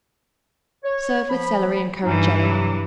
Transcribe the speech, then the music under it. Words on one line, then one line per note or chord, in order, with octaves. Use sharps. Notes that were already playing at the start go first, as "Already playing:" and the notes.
Serve with celery and currant jelly.
C#5
F3 B5
G2 E3 C#4 D#4
C3 F#3